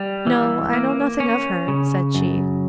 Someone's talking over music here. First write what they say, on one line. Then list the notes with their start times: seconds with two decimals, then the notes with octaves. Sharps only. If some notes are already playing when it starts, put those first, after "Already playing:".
'No, I know nothing of her,' said she.
Already playing: G3
0.27 E3
0.73 A#3
1.20 C#4
1.68 C#3
2.15 F#2